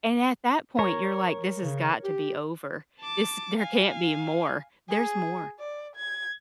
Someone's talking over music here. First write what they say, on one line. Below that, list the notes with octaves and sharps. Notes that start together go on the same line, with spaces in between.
And at that point you're like, "This has got to be over. This there can't be more." There's more.
A#4 C#5
C#3
G4
A5 D6
F5 G#5
G#4
D5
G#6